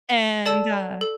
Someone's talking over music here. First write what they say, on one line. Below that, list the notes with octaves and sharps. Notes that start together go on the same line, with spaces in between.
And, uh,
A4 D5 A5 E6
A4